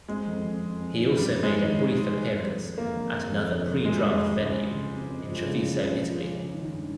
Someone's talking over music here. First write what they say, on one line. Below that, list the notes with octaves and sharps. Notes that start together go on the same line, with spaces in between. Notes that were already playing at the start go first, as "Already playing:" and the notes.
He also made a brief appearance at another pre-draft venue, in Treviso, Italy.
G#3 C4
F2
F2
F2
C4
D#3
F2 G3
F2
G#3
D#3
D#3
C4
G#3
F2
F2
C3
F1 A#3
F1
F1
F2
F2
C3
F1 G#3
G3
F1
G#3
F1
C#2
C#2
C#2
C4
C4
F3
C#3
F3
C#2
F3
C#3
C#3
D#3
G2